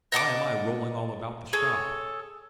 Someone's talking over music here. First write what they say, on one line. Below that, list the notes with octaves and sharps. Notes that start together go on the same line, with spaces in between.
Why am I rolling all about the shop?
D#5 F#5 A5 D6
G#4 A4 C#5